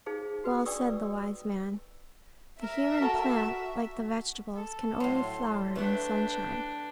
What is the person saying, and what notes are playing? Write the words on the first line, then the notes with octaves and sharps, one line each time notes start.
Well said the wise man, "The human plant, like the vegetables, can only flower in sunshine."
D#4 G#4 C5 F5
F#4 B4
D4 D5 G5 C#6 D#6 E6
A#4 E5
F#4 A4 A5 A#5
A4
A2 F#3 C6
A3 D4 B4 F#5 G5